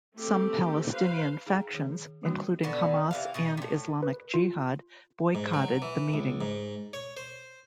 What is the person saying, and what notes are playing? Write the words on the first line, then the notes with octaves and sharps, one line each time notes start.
Some Palestinian factions, including Hamas and Islamic Jihad, boycotted the meeting.
A3 C4 G4
B4 C5 F5
D#4 G#4 F5 G5 A#5
D#3 G#4
D#3 E3 G3 A#3 D4 F#4
B2 D3 B3
C3 E3 F5
B2 D#4 G#4
A2 C3
B4
F4
G#2
F#3
E3
C#2
G#2
C#5
C5